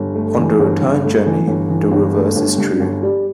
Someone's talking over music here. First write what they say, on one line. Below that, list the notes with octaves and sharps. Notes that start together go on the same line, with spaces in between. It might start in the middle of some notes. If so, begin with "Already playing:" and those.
On the return journey, the reverse is true.
Already playing: G1
A3
E3
G1
G1
A3
E3
G1
E3
G1
A3
G1
G2
G1
G3